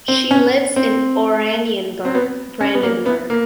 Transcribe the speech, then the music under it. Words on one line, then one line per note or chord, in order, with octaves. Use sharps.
She lives in Oranienburg, Brandenburg.
C4
C#4
C4
C4
B3
C#4
B3
A#3
B3
A#3